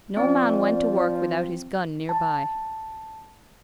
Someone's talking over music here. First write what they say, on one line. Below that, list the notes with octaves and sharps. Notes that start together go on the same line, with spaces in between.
No man went to work without his gun near by.
F3 C4 D5
A5